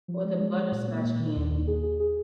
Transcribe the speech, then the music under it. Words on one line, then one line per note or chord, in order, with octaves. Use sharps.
Or the butterscotch candy.
F3
G#3
G#3
G#3
A#2
A#3
A#2
D#3
D#2
D#2
G#4
G#4
G#4